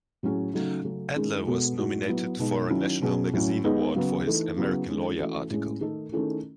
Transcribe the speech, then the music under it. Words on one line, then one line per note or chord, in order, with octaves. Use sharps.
Adler was nominated for a National Magazine Award for his "American Lawyer" article.
A2 F#3 C#4 G#4
C#3 F#3 A3 D#4
C#3 F#3 A3 C#4
D#3 G#3 C#4 G#4
B2 G#3 B3 F#4 A4
A2 G#3 D#4 F#4
F#3 B3 E4
B2 G#3 D#4
D#3 F#3 C#4 E4
B2 F#3 C#4 G#4
A2 F#3 C#4
G#3 B3 D#4 G#4
C#3 F#3 B3
E3 A3 D#4 A4
C#3 F#3 B3 E4 G#4
D#3 G#3 C#4
E3 A3 C#4 F#4
A2 G#3 C#4 G#4
D#3 A3 D#4 A4
D#3 A3 C#4 E4 G#4